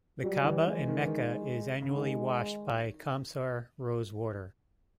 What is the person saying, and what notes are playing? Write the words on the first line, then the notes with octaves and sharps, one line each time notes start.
The Kaaba in Mecca is annually washed by Qamsar rose water.
F#3 G3
E3
E3 G#3
D#3
E3
D#3
C#3
D3
D#3 G#3